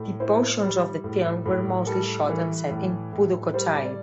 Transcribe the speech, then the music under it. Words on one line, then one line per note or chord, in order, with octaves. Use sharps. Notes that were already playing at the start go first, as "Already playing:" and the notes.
The portions of the film were mostly shot and set in Pudukkottai.
Already playing: A2
E4 C5
G3
A2
A2
G3 A4
E3
A2
A2
G3 C5
D5